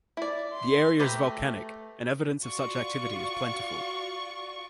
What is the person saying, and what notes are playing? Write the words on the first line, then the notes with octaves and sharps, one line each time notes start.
The area is volcanic, and evidence of such activity is plentiful.
E4 D5
C6
A3 G4 B4 A#5
F4 F#4 D5 C#6